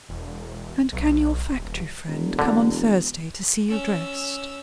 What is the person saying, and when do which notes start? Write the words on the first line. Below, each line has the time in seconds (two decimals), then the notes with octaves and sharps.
'And can your factory friend come on Thursday to see you dressed?'
0.09 E1
0.92 B1
1.50 D#1
2.07 E1
2.39 D3
3.68 C#4 E6